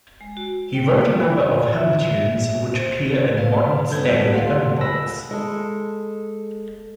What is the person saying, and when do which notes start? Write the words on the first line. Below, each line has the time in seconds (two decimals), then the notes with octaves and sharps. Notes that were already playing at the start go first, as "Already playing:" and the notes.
He wrote a number of hymn tunes which appear in modern standard hymn books.
0.21 G#3
0.37 F#4
0.74 G5
1.73 E5
2.74 C4
3.37 F2 B4 F5
3.91 G2 B3 A4 G6 G#6
4.34 D2 F4 G4 F5 F#5
4.81 G#3 B5 E6 A#6
5.31 G#3 A4